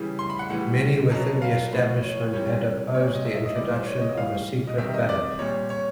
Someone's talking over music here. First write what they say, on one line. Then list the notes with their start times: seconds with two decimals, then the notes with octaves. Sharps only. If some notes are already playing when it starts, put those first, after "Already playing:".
Many within the establishment had opposed the introduction of a secret ballot.
Already playing: C#3 E3 G3
0.19 C6
0.30 B5
0.39 F#5
0.50 A2 E3 G3 F#5
1.11 B2 F#3
1.42 F5
1.72 A2 F3
2.03 C#5
2.33 C3 E3 G3 C#5
2.94 A#2 G3 C#5
3.15 D#5
3.25 E5
3.35 E5
3.46 D#5
3.55 A2 E3 G3 D5
3.71 C5
3.86 C#5
4.01 D#5
4.17 A2 E3 G3 F5
4.67 D#5
4.78 C3 D#3 G3 E5
4.94 D#5
5.09 D5
5.39 A#2 G3 C#5
5.70 C#5